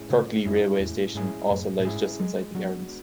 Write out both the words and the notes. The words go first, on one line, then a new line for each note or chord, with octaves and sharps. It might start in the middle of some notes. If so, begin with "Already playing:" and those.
Kirklee railway station also lies just inside the gardens.
Already playing: A2 G#3 C#4 E4 G#4
A2 C#3
F#2 G#3 C#4 E4 G#4
E2 A2
G#2 G#3 C#4 E4 G#4
F#2 A2
A2
G#2 G#3 C#4 E4 G#4
F#3 G#3
F#3 B3 D4 F#4